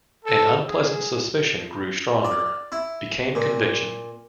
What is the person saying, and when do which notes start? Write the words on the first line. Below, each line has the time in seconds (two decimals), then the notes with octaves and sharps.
An unpleasant suspicion grew stronger; became conviction.
0.25 A4
0.67 G#4
2.25 D5
2.72 E4
3.35 A#2